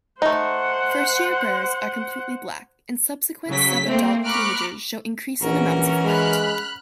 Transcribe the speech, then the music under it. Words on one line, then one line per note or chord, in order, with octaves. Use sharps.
First-year birds are completely black, and subsequent sub-adult plumages show increasing amounts of white.
A3 D#4 C5 F#5
C#3 F#3 B6
A3 A#3 C4
A#5 B5 C#6 D6 F6 F#6
A#1 E3 C#4 F#4 A#4
G#3 B5 F6 F#6